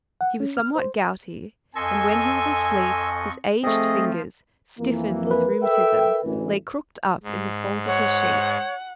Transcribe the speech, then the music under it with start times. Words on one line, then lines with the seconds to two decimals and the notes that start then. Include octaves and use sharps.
He was somewhat gouty, and when he was asleep, his aged fingers, stiffened with rheumatism, lay crooked up in the folds of his sheets.
0.21 F#5
0.40 C#4
0.57 F6
0.75 C5
1.76 F2 A4 D#5 G#5 C6 C#6 E6
3.64 F3 A3 C4 G#4 D#5
4.79 F2 E3 A#3
5.27 A#4 B4
5.63 A4 E5 G5
6.25 A1 D2 E3
7.23 G#2
7.86 C#5 F#5